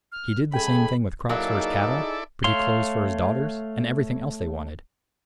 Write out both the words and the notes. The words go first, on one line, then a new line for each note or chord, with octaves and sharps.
He did the same thing with crops for his cattle, pretty clothes for his daughters, and everything else they wanted.
F6
C#3 G#3 A4 G5 G#5 B5
F#3 A#3 D#4 E4 G#4 A4 D5
A3 C#5 F5 C6